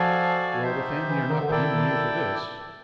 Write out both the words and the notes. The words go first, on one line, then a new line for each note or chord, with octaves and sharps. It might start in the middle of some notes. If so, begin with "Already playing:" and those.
"Well, the family are not blaming you for this."
Already playing: F3 F#4 A4 D5 F5 G#5
D#4 G4 C5 E5
E3
D#3
D3
D#3 E4 A4 D5 G5
D#3